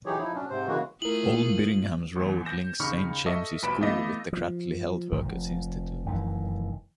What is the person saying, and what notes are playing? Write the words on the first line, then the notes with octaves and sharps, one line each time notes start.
Old Birmingham Road links Saint James's School with the Cradley Heath Workers' Institute.
E3 F#3 D#4 G4 G#4 C#5
F3 D#4 E4
F#3 C#4 D4
G#2 C3 C5
C#3 E3 G#3 A#3 F#4
A3 E4 F4 G#4 A#4 F#7
A1 E2
G6 A#6 E7
D#2 C#3 D#4 B5 C#6 F6
A4 D#5 E5 C#6
D#1 B1 B4 B5 D7 E7
E3 A3 B3 D#5 F5 D6
F3
C2 G#2 D#3 F3
F1 F3
F1 F#2 D#3 E3